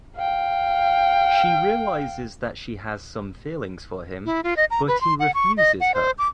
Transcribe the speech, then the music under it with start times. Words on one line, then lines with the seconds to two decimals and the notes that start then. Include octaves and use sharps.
She realizes that she has some feelings for him but he refuses her.
0.16 F5 G5
4.26 E4
4.44 F4
4.57 D#5
4.71 A#5
4.88 B4
5.01 C6
5.20 F#5
5.34 C#6
5.57 D#5
5.81 F#5
5.94 C5
6.18 D6